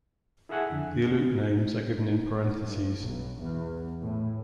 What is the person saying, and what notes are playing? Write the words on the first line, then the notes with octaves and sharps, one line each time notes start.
The Aleut names are given in parentheses.
E4 G#4 A4 E5 F#5 G#5
F2 D3
G2
B1
E2
A2